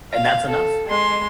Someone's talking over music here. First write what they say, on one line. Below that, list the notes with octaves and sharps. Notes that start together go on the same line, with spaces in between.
And that's enough.
F5
A4
G#3 C6